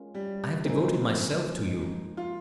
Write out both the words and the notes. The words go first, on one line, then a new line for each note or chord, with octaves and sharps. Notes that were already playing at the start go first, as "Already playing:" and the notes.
I have devoted myself to you.
Already playing: G#3 C#4 F4 A#4
G3
C#3 F3 G#3 A#3 C4 D#4
F3 G#3 D#4
F4